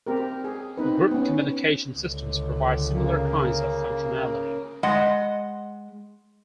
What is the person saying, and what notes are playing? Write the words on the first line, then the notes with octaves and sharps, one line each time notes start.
Group communication systems provide similar kinds of functionality.
C4 G4 A#4
G#4
C4 D#4 B4
B3 C#4
C#2 D3
C#3 A#3
G#3 D#5 F#5